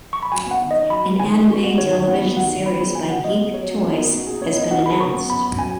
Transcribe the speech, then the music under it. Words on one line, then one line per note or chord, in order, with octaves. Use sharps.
An anime television series by Geek Toys has been announced.
C#6
B5
F#3 G#5
B3 F#5
D#3
D#4 D#5
F#3 B5
B3
D#3 G#5
D#4
B3 F#4
F#4
D#3 C#5
D#3 C#5
B3 F#5
F#4
D#3 F#5
D#3
B3 B5
G#4 B5
F#3 G#5
F#3 F#5
B3 D#5
G#4
F#3 C#5
F#3
B3
D#4
B2
G#4
B3 C#5
D#4 D#5
B2 F#5
G#4 B5
F#3 C#6
B3
F#2 B5
F#2
F#3 G#5